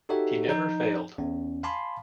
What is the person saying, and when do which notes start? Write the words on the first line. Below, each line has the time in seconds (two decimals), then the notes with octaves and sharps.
He never failed.
0.09 D#4 F#4 G4 A4 C#5 E5
0.48 F3 D#4 G6
1.18 E2 C#4
1.63 F5 G#5 A5 B5 C6 D6